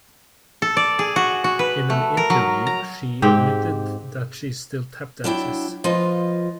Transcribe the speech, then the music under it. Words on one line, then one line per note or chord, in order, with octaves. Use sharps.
In an interview, she admitted that she still tap dances.
A4
D5
G#4
F#4
F#4
B4
A3
A#4
F#3
A#5
G#2 C4 G4 G5
F#3 D4 E4 G5
F3 F4 B4 D#5